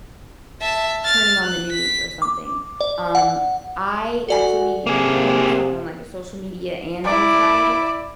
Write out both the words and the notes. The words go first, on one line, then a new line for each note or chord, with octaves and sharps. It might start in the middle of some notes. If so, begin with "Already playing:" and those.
turning on the news or something, um, I actually put myself on, like, a social media and news diet,
E5 A5
F6 A6
F#6
B6
D6
D5
F#5
F#4 A4 D5 G#5
C3 A#3 G#4
E4 D5